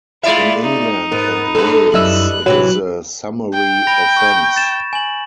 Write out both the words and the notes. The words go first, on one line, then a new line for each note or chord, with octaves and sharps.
In England and Wales, it is a summary offence.
G#3 E4 F4 D5 E5
D#4
G#2 B3 A#4
G2 A4 B4
F#2 G3 E4 D#5 E6 F#6
A2 C3 E3 F#3 B4
G5
B5 A#6 D7
C#6 G6
A6 E7
G#5 F#7